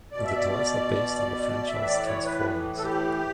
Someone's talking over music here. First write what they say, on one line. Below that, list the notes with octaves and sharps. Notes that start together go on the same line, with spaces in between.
The toys are based on the franchise Transformers.
B2 D5
E5
D5
A2 E3 E5
D5
C#5
B4
A4
G4